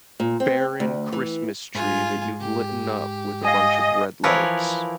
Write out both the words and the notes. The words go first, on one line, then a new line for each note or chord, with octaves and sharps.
barren Christmas tree that you've litten up with a bunch of red lights.
A#2
C4
D2
E3
G#2 F4 G#4 G#5
G4
D#5 F5 G#5
E3 F3 E4 A#4 B4 C#5